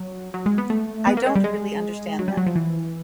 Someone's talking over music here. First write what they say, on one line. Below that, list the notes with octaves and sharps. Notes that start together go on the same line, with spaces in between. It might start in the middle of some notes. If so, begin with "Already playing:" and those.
I don't really understand them.
Already playing: F#3
F#3
G#3
B3
A3
B3
A#3
G#3
G3
G#3
F#3
G3
F#3
F3
E3